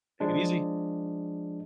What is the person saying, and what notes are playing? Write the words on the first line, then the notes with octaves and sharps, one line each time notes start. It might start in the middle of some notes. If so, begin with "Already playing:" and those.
Take it easy,
F3 G#3 D4